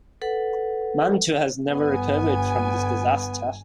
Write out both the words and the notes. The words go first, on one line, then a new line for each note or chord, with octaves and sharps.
Mantua has never recovered from this disaster.
A4 B4 F#5
G1 B3 G#5